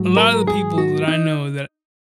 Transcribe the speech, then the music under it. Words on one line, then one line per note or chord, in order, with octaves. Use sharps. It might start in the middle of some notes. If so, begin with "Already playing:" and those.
a lotta the people that I know that
Already playing: G#2 F#3
A#4
G#4
F#4
D#4